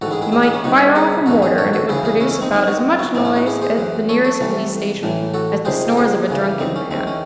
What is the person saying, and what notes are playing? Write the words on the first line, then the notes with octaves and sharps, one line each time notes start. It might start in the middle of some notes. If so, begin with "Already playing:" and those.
You might fire off a mortar and it would produce about as much noise at the nearest police station as the snores of a drunken man.
A1 G#2 D#3 F#4 A4
E4 G#4
E4 G#4
E4 G#4
E4 G#4
C#4 E4
C2 C3 D#3 D#4 F#4
E4 G#4
A1 G#2 D#3 F#4 A4
G#4 C5
A4 C#5
F#4 A4
D#2 C#3 E3 E4 G#4
E4 G#4
C#4 E4
C#4 E4
C4 D#4
F#2 D#3 C4 D#4
D#4 F#4
D#4 F#4
A1 A2 E3 C4 D#4
C#4 E4
D#4 F#4
E4 G#4
G#4 C5
F#2 E3
A4 C#5
A4 C#5
C2 C3 E3
A1 A2 E3
F#4 A4
C#2 C3 D#3 G#4 C5
A4
G#4 C5
F#2 C#3 E3
C4 D#4
C#4
E2 D#3 C4
C#4